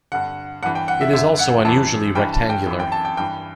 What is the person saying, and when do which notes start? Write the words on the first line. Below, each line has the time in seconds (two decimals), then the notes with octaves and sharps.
It is also unusually rectangular.
0.12 G2 D3 F#5
0.62 G2 F#5
0.66 E3
0.75 G5
0.88 F#5
1.01 E5
1.13 F#2 D3 E5
1.39 F#5
1.65 F#2 E3 A5
2.15 G2 E3 G5
2.33 A5
2.50 G5
2.67 F#2 E3
2.80 G5
2.92 A5
3.05 G5
3.17 G2 E3 G5